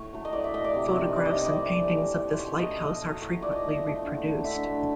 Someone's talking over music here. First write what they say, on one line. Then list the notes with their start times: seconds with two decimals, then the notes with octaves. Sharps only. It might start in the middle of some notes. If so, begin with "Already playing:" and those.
Photographs and paintings of this lighthouse are frequently reproduced.
Already playing: A2 C#5
0.13 F#3 A3
0.25 D#5
0.33 A2 D5
0.44 E5
0.54 F#3 A3 D#5
0.64 D5
0.74 C3
0.95 D#3 G3
1.16 C3 D5
1.26 D#5
1.36 D#3 G3 D#5
1.46 D5
1.57 A2
1.77 E3 A3
1.98 A2
2.18 E3 A3
2.33 C5
2.39 B2 C#5
2.59 F#3 A3 D#5
2.80 B2 D#5
3.01 F#3 A3
3.22 A2 C#5
3.42 F3 A3 D5
3.52 D#5
3.63 A2
3.83 F3 A3
4.03 D3
4.24 F#3 A3
4.44 D3 E5
4.65 F#3 A3